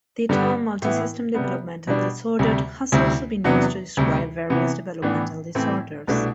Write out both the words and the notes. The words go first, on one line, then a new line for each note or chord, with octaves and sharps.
The term "multisystem developmental disorder" has also been used to describe various developmental disorders.
G2 D3 G3 B3
A2 E3 B3 E4
C3 G3 B3
B2 G3 D4
D2 C3 G3
D2 C3 G3 C4 E4
E2 C3 F#3 B3 D4
D2 C3 G3
C3 E3 B3 E4
A2 E3 B3 D4
A2 E3 A3 C4
C2 B2 A3 D4